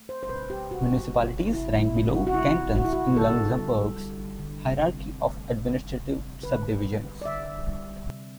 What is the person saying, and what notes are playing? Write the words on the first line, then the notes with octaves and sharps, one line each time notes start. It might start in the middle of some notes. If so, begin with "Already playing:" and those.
Municipalities rank below cantons in Luxembourg's hierarchy of administrative subdivisions.
Already playing: A3
C5
C5
B2 B4
G4
B2 F#4
B2
C3 E4
E4
C3
F#4
F#4
C3 E4
C3 F#4
E4
F#4
D3 A4
G3
G3
D3
C3
A3
C3
C3
D3 B4
G3
D5
D3 E5
G3
C3